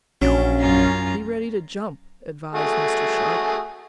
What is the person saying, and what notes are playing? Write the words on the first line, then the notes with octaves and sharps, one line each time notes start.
"Be ready to jump," advised Mr. Sharp.
A#1 F#3 C#4 D4
F#2 F4 A#5
A3 F#4 G#4